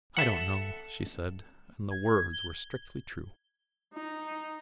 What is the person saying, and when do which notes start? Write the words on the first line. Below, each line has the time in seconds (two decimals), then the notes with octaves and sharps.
"I don't know," she said: and the words were strictly true.
0.17 A4 E5 F#5
1.91 G#6
2.34 G7
3.94 D#4